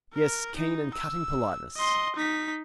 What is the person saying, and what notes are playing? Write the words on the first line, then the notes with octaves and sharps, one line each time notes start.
Yes, keen and cutting politeness.
A#4
D#4
E6
D#5 C6
D#4 B6